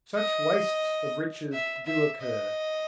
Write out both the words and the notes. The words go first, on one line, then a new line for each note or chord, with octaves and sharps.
Such wastes of riches do occur.
D#5
E5
E5
D#5